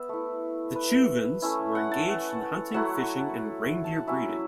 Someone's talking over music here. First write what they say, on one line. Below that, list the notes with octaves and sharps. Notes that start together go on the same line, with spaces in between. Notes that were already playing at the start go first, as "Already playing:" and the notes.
The Chuvans were engaged in hunting, fishing and reindeer-breeding.
Already playing: B3 E5
A3 E4
B4
A3 C#4 E4
F#5
A5
F#5
F#3 A3 E4 F#5
A5
F#5
F#3 C#4 E4 E5